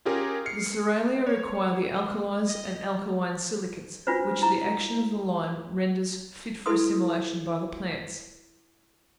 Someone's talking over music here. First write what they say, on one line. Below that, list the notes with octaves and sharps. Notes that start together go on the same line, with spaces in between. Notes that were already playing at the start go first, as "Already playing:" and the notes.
The cerealia require the alkalies and alkaline silicates, which the action of the lime renders fit for assimilation by the plants.
C#4 F4 G4 G#4 A#4
F6 C7 C#7
C#5
D#5
D4 F4 F#4 B4 C5
E4 A#5
E4 A4 B4 C6 D#6